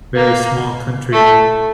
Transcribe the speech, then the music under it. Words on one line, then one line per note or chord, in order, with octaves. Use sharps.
very small country
A#3
A3